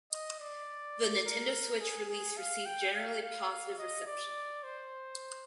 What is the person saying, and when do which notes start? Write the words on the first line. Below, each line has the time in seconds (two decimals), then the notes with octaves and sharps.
The Nintendo Switch release received generally positive reception.
0.12 D#5
0.40 D5
1.25 A#4
1.81 G#4
2.09 G#4
2.38 F5
2.66 G5
2.94 F5
3.22 F5
3.50 F5
3.79 D#5
4.07 D5
4.63 C5